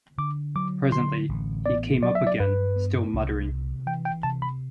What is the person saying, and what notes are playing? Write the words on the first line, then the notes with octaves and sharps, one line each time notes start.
Presently he came up again, still muttering.
D3 D6
F#3 D6
D3 C6
A1
B3 D5
F#3 D5
E5
D5
G2 B4
B3
C2
C3
E3 G5
G5
C3 A5
B5